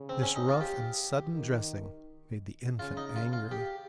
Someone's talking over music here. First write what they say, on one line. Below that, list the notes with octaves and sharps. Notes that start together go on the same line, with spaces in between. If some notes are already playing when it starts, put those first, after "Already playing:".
This rough and sudden dressing made the infant angry.
Already playing: C#3
C4
C#4
D#4
F4
G4
D#3
C#3 F4
D#4
F4
F4
G4